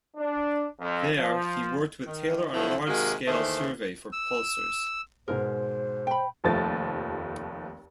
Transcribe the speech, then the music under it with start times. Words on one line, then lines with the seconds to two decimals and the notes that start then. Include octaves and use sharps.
There he worked with Taylor on a large-scale survey for pulsars.
0.17 D4
0.80 F2
1.18 F3
2.07 D#3
2.53 D3 F3 F#3 A3 E4
2.86 C3 D#3 G#3 A#3 F#4
3.28 D#2 D#3 E3 A3 C5
4.12 E6
5.28 G#2 B2 G#3 A#4 C5
6.07 G5 B5
6.44 F1 D#2 F3 A3 A6